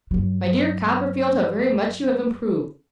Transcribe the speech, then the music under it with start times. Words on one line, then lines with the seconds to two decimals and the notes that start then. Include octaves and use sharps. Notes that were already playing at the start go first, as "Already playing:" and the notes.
My dear Copperfield, how very much you have improved!
0.11 G2 F#3